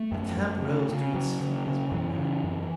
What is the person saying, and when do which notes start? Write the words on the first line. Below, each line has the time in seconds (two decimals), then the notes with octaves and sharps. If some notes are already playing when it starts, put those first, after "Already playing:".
The camp rose to its feet as one man!
Already playing: A3
0.12 F#2
0.37 F#2
0.63 C#3
0.89 C#3
1.14 C#3 F#3
1.41 C#3
1.67 C#3
1.92 F#2 E3
2.18 C#3
2.44 F#2